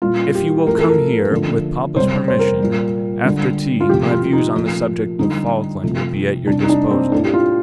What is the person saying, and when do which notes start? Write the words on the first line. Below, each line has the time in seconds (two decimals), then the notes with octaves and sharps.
If you will come here--with papa's permission--after tea, my views on the subject of Falkland will be at your disposal.
0.02 A#2 G3 F4
0.35 G4
0.67 A2 F3 A3 A#4
0.78 A4
0.89 A#4
1.31 D3 F3 A3
1.96 C3 C5
2.00 G3
2.28 C5
2.39 A#4
2.60 A#2 G3
3.25 D3 G3
3.80 F4
3.89 C3 F3 A3 G4
4.11 F4
4.23 F4
4.33 D#4
4.55 A#2 F3 A3
5.19 D3 G3 D#4
5.83 C3 F3 A3
6.47 C3 G3 D4
6.63 D#4
6.69 D4
6.91 C4
7.12 A2 A3 D4
7.25 G4
7.34 F4